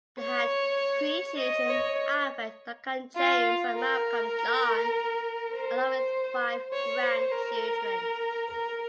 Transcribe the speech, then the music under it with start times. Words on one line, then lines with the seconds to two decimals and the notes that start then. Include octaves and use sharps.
They had three children, Alfred, Duncan James, and Malcolm John, along with five grandchildren.
0.19 C#5
1.38 D#5
1.67 C#5
3.16 F4
3.75 A#4
5.54 C5
6.73 C#5
7.02 C5
7.32 A#4
8.51 A#4